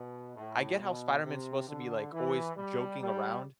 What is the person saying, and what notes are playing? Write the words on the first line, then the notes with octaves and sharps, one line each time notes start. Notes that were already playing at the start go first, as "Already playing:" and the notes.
I get how Spider-Man's supposed to be, like, always joking around,
Already playing: B2
A2
B2
C3
D3
E3
G3
G3